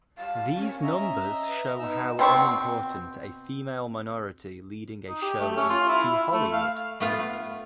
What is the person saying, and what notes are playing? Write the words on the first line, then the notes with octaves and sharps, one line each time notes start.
These numbers show how unimportant a female minority leading a show is to Hollywood.
G3 F5 A5
A#2 C#4 C#6
D#5 E5 A#5
B4
B3 D#4 D#5 E6
B2 C4 B5 C#6
D#4
G4
A3
C#4
F4
E4
E4
A3
F5
A3 B3 F4